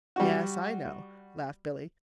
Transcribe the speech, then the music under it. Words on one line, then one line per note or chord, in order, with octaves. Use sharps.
"Yes, I know," laughed Billy.
G3 F#4